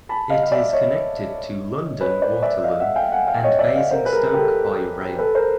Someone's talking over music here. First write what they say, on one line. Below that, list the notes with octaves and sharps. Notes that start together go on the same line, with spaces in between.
It is connected to London Waterloo and Basingstoke by rail.
A5 B5
D#5 F5
F5
D5 E5
C#5 D#5
B4 C#5
C5 D5
D5 E5
D#5 F5
E5 F#5
F5 G5
F#5 G#5
F5 G5
C#5 D#5
D5 E5
D#5 F5
A#4 C5
B4
G#4 A#4
A#4
G4 A4
A4 B4
A#4 C5